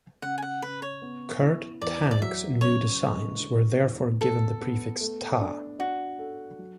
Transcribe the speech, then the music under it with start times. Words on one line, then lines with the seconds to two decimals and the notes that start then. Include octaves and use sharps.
Kurt Tank's new designs were therefore given the prefix Ta.
0.22 C#3 F#5
0.38 G#5
0.42 F#5
0.62 C#3 B4
0.82 C#5
1.02 B3
1.41 E4
1.82 E2 D5
2.11 D5
2.22 F#3 E5
2.61 C#3 C#5
3.01 G#3
3.40 D3
3.81 E2
4.21 B3 A4
4.61 B3
5.00 A3
5.40 D4
5.79 D4 F#4
6.19 A4
6.59 F#3